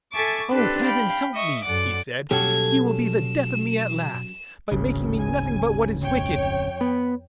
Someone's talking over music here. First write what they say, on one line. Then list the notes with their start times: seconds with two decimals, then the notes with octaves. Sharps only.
'Oh, Heaven help me', she said; 'you will be the death of me at last, by making me nothing but what is wicked.
0.14 A4 E5 G#5 A5 C#6 D6
0.52 C4 D4 G4 A4 B4
0.83 F5 G5 B5
1.34 D#5 E5 C#6
1.63 F#2 A4 D5 F#5 D6
2.31 B2 F#3 G3 A#3 C#4 G4 A4 G#6
2.92 E7
4.72 D1 G#1 C#3
5.18 G#5
6.02 F2 C#5 G5
6.81 B3